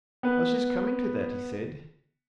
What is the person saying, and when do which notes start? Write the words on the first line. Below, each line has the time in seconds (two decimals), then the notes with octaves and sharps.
"I was just coming to that," he said.
0.23 B3 B4